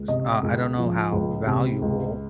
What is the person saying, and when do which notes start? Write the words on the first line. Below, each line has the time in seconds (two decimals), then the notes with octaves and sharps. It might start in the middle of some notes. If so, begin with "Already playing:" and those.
s uh, I don't know how valuable,
Already playing: C#2
0.08 C3 D#5
0.43 C#2
0.78 F3
1.12 C#2
1.46 C3
1.82 C#2